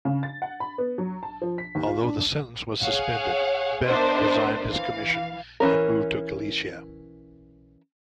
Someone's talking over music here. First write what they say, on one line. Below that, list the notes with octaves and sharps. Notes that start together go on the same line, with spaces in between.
Although the sentence was suspended, Bem resigned his commission and moved to Galicia.
C#3
A6
F#5
B5
B3
F#3
A5
F3
B6
D#2
F4
D4
G#4 C#5 F5 F#5
B3 D4 A#4 C5 D#5 E5
E3 F5
E3 A#3 C#4 A#4